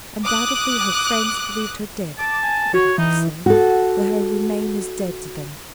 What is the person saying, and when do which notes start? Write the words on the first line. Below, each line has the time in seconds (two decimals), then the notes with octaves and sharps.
Undoubtedly her friends believed her dead--let it be so--let her remain as dead to them.
0.25 D6 D#6 F#6
2.19 A5 D6
2.43 G#5
2.74 F#4 C#5
2.98 E3 D#4
3.46 F#4 A4